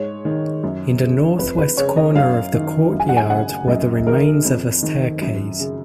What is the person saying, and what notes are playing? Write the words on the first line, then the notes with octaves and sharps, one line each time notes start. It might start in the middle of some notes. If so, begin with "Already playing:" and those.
In the north-west corner of the courtyard were the remains of a staircase.
Already playing: G#2 C#5
D#3
F#2
C#3
F2 B4
B4
C#3 C#5
D#5
F#2 F5
D#3
F#2
G#5
F#5
G#5
C#3 F#5
F#2 D#5
D#3 A#4
F2
D#3
F#2
C#3